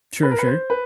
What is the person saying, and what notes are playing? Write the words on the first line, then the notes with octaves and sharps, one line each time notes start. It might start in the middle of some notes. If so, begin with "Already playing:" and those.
Sure, sure.
B4
A#4
B4
C5
B4